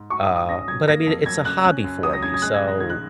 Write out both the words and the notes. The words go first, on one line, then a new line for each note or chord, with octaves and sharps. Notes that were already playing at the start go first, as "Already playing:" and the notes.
uh, but, I mean, it's a hobby for me, so
Already playing: G#2
F#4 C#6
D#6
G#2
D#6
C#4 A#6
F#3 G#6
A#3 A#6
F2
F#3 G#6
C#3 F#6
C#4 F#6
F#2
F#3 D#6
A#6
C#3 G#6
G#6
G#3 F#6
G#6
A#1
A#6
D#3 G#6
F#6